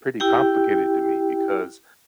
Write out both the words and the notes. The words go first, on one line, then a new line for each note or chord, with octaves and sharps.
pretty complicated to me, because,
E4 G4 G5